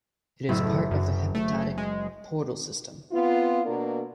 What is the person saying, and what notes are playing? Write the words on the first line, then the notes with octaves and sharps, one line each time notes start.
It is part of the hepatic portal system.
F#1 A2 E5 E6
F#2
A3
G#3
B3 C4 F4
B2 A#3 D4 A#4